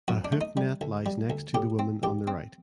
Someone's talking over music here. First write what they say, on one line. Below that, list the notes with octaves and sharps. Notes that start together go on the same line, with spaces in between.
A hoop net lies next to the woman on the right.
F#2 F#4
D4
A3
D#4
G3
D2
G3
D2
A2 G4
C4
A1 G4
C4